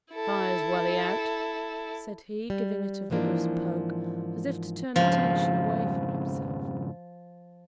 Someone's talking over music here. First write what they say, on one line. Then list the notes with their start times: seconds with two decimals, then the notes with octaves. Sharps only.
Fire's welly out,' said he, giving it a vigorous poke, as if to turn attention away from himself.
0.14 E4 A4
2.50 G3
3.10 G#2 E3 F3 A#3 D4
4.96 F2 G#2 C#3 F3